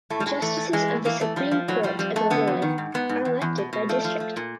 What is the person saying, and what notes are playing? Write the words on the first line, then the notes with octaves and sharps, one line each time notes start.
Justices of the Supreme Court of Illinois are elected by district.
A2 A3
G3
A2 G#3
E3 A3
E3
E3 G#3
A2
E3 A#3
E3 A3
F3 G3
F3
A2 F#3
F3 G3
F2 G3
F2 A3
D3 B3
F2
D#3
G#2
G#2 B3
G#2
E2
E2
B2
B2
F3 A3
F3
F3
A#2